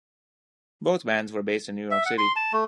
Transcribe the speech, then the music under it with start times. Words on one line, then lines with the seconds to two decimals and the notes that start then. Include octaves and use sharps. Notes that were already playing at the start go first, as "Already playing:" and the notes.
Both bands were based in New York City.
1.91 E5
2.06 F#5
2.18 C6
2.36 A5
2.53 A3